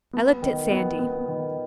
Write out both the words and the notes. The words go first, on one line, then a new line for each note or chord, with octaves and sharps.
I looked at Sandy.
B3
D#3
B3
B3
D#3